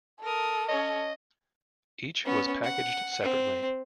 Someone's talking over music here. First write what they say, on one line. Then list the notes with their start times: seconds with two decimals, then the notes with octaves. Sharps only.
Each was packaged separately.
0.22 A4 A#4 D#6
0.69 C#4 C#5 D#5
2.25 B3 C#4
2.64 F#5
3.22 C4